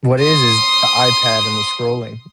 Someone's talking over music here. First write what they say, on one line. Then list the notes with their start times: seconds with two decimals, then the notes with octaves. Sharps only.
What it is is the iPad and the scrolling.
0.20 C6 D#6